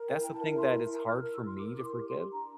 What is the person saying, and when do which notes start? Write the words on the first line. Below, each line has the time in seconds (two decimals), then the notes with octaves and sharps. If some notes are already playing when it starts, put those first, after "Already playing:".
that's the thing that is hard for me to forgive
Already playing: A#4
0.08 E4 G5
0.23 G5
0.34 A5
0.46 A#4
0.59 C6
0.83 E4
1.08 F6
1.21 E4
1.32 E6
1.47 C6
1.58 A#4 D6
1.78 D6
1.83 C6
1.95 G4
2.08 C6
2.32 D4 A#5